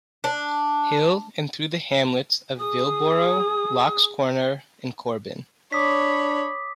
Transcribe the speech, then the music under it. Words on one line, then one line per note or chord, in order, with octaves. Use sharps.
Hill and through the hamlets of Villboro, Locks Corner, and Corbin.
D4
G#4 D#6
D4 C#5 B5 D6 D#6 B6